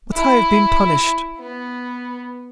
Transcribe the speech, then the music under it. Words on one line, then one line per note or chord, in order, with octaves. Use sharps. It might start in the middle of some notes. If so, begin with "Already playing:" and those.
"But I have been punished."
E4
B3